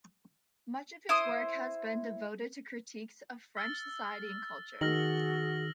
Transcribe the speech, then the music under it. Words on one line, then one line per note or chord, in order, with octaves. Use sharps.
Much of his work has been devoted to critiques of French society and culture.
E4 C5 D#6
E6 F6 A6
D#3 F#4 G#4 F6 A#6 F#7